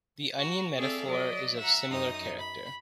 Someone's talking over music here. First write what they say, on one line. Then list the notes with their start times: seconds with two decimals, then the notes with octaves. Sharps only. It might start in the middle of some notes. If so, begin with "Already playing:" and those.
The onion metaphor is of similar character.
0.37 F#4
0.77 C4 G#4 A4 D5 E5 F5
1.08 F#3 D5 D#5
1.58 E5 F#5 A#5
1.90 F#2 D#4 D#6
2.40 B5